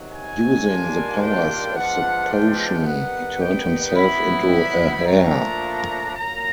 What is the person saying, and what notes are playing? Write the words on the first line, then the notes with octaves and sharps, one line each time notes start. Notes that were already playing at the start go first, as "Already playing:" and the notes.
Using the powers of the potion he turned himself into a hare.
Already playing: C3 D#3 F#3
G#5
D#3 G3 A#3 D4 F4
G5
F3 G#3 B3 D4 F4 F#5
G5
D#3 G3 B3 D#4 F#5
G5
F#3 B3 E4 B5
B5
A#2 F3 A3 D4 A#5
A#2 F#3 A#3 A#5